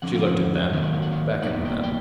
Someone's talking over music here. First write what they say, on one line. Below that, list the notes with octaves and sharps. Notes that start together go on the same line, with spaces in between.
She looked at them, beckoned them.
F2 D3 F3 C#4 F#5
F5
F#5
D#3 F#3 A#3 F5
F#5
F5
F#5
F5
B2 G3 A#3 D#4 F#5
G5
G5